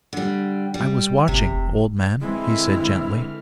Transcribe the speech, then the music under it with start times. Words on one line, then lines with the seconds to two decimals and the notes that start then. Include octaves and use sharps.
"I was watching, old man," he said gently.
0.13 D3 G3
0.74 G3
1.28 G1 C3
1.52 F1
2.21 D3 E3 G#3 C4 E4 F6